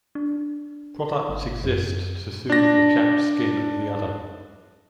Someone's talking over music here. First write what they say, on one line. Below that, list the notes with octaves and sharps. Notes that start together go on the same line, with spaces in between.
Products exist to soothe the chapped skin of the udder.
D4
G1
F#2
D4 A#6